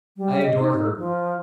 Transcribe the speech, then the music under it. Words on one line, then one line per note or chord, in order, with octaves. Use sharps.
"I adore her!"
G3
D#5
D#4
F3